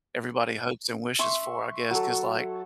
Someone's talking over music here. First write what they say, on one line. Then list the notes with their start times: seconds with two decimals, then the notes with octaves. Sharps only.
everybody hopes and wishes for, I guess, 'cause, like
1.19 E5 C6 C#6
1.91 F#3 A4